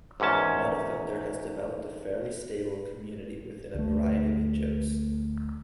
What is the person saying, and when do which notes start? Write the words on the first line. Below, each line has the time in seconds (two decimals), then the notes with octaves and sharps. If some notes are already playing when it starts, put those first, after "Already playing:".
MetaFilter has developed a fairly stable community with a variety of in-jokes.
0.20 G#1 E2 G#2 C#4 A5
3.75 D2 A3